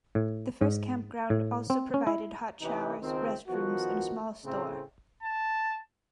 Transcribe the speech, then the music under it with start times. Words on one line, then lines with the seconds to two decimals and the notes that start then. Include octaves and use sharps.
This first campground also provided hot showers, restrooms, and a small store.
0.15 A2
0.61 G#2
1.30 A2
1.70 C4
1.94 C#4
2.07 E4
2.61 C3 E3 C#4 D#4 G4 B4
3.01 C#2 D#3 C4
3.48 D#3 F3 B3 F#4
4.44 A2 C#3 C4
5.23 A5